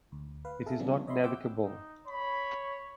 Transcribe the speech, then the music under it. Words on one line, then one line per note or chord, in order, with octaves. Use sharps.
It is not navigable.
D2
B4 F5
G#4 A4 E5 F5
C#3 F3 G3 B3 C4 D4
C#5 D#5 E5 B5 C6
C5 F#5 G5 D6 E6 G6
D#4
C#5 B5